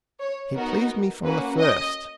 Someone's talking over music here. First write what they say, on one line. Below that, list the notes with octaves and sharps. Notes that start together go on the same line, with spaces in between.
He pleased me from the first.
C#5
B3 D#4 F#4 A#4
A#3 C#4 F#4 B4
D#5